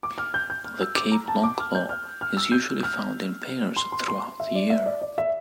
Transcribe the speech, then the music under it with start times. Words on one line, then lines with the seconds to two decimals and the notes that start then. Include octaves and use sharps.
The Cape longclaw is usually found in pairs throughout the year.
0.03 D6
0.18 F6
0.34 G6
0.50 G6
0.65 F6
0.81 E6
0.96 D6
1.12 A#5
1.28 A5
1.43 D6
1.59 F6
1.75 G6
1.89 F6
2.21 F6
2.37 E6
2.52 G6
2.83 F6
3.76 C6
3.92 C6
4.08 C6
4.40 E5
4.55 D5
4.70 E5
4.86 D5
5.02 D5
5.18 E5